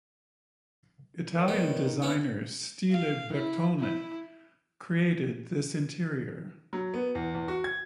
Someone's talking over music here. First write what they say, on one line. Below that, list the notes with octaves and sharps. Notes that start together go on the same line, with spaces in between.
Italian designer Stile Bertone created this interior.
A#4 C#5 D5
D#3 B3
D#4
B3 C#4 E4
F5
E4
E4
F#3
B3
E2
E2
F#4
G#6